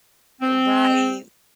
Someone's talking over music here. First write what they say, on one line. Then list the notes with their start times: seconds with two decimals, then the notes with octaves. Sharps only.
Eh, right.
0.42 C4